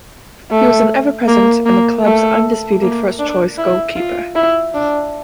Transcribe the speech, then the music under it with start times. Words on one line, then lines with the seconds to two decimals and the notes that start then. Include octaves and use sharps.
He was an ever present and the club's undisputed first choice goalkeeper.
0.51 A3
1.28 A#3
1.66 A#3
2.05 A3
2.82 A#3
3.19 D4
3.58 E4
3.96 F4
4.35 E4
4.74 D4